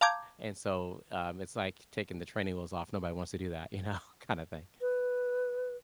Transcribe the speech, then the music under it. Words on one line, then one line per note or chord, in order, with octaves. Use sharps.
and so, um, it's like taking the training wheels off, nobody wants to do that, you know, kinda thing,
F5 A5 A#5 D6 G6 G#6
B4